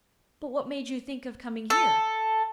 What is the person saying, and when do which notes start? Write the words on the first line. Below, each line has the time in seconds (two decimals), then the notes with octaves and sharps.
"But what made you think of coming here?"
1.70 A4